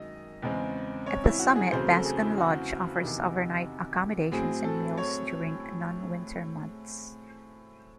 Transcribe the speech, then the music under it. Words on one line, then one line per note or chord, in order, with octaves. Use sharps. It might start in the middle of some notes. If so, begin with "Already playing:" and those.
At the summit, Bascom Lodge offers overnight accommodations and meals during non-winter months.
Already playing: F#2 D#3 G#3 D#5
E2 C#3 G#3 C4
C#5
E4
F#4
G#4
E2 C#3 F#3 A3 C4 C5
A4
G#4
E4
F#4
E2 C3 D#3
A2 F#3 C4 G#4
A4
C#5